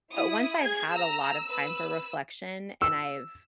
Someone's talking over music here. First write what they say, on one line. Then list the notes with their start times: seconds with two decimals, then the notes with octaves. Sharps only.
But once I've had a lot of time for reflection and I've
0.14 E4 D#6
0.63 G#4 G#6
0.95 A#5 E6
1.48 B4
2.82 E6